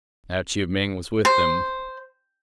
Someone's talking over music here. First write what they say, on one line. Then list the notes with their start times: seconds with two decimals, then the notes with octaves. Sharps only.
Now Chiu-Ming was with them.
1.25 C5